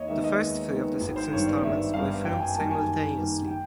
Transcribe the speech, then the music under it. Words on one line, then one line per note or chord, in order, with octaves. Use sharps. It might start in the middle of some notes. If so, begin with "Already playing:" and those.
The first three of the six installments were filmed simultaneously.
Already playing: D#2 C#5 D#5
D#3 G#3 B3 E5
D#5
D#2
D#3 G#3 B3
G#1
C5
G2 D#3 G3 B3 C#5
D5
G#1 E5
G2 D#3 G3 B3 F5
F#2 G5
G#5
D#3 G3 A#3 A5
G#5
F#2
D#3 G3 A#3
G5